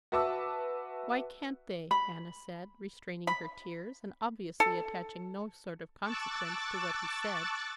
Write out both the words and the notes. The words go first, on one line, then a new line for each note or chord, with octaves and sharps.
"Why can't they?" Anna said, restraining her tears, and obviously attaching no sort of consequence to what he said.
F#4 B4 E5 A5 D6 E6
B5
B5
A4
A5 C#6 D6 E6 F#6 A6